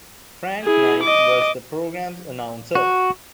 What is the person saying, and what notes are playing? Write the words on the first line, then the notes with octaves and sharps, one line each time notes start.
Frank Knight was the program's announcer.
E4 G#4
D#5 D6
F#4